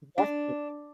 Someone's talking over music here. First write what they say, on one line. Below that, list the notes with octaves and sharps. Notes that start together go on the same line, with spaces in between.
That's good.
D4